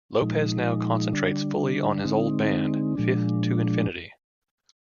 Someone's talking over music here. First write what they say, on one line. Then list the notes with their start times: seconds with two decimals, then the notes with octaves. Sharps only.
Lopez now concentrates fully on his old band, Fifth to Infinity.
0.21 A#2 F3 G#3 D#4
1.13 D3 G3 D4
2.03 D3 G#3 C4 D#4
2.96 A#2 F3 G#3 D4